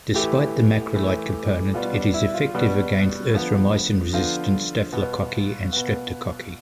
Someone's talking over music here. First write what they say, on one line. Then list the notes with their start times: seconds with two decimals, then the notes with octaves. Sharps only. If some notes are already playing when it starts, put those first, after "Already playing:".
Despite the macrolide component, it is effective against erythromycin-resistant staphylococci and strepcococci.
0.14 A2 E3 A3 G4
0.95 A2 E3 A3
1.74 B2 G3 B3 F4
1.94 D4
2.14 E4
2.34 F4
2.54 B2 G3 B3
3.34 D3 F3 B3
4.13 D3 F3 B3 F4
4.93 B2 B3
5.73 B2 B3